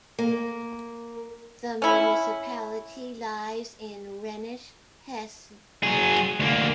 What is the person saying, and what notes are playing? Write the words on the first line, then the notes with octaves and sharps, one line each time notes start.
The municipality lies in Rhenish Hesse.
A#3
C#4 E4
F#3 G#4
D2 A#3